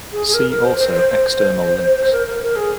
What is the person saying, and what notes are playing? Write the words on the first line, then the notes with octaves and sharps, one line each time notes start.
See also External Links.
G#4
G#4
A#4
A#4
C5
C5
C5
C5
A#4
A#4
A#4
G#4